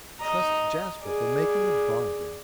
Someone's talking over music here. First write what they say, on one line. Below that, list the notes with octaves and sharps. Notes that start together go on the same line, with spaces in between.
Trust Jasper for making a bargain!
D#5 A#5
G#4 D5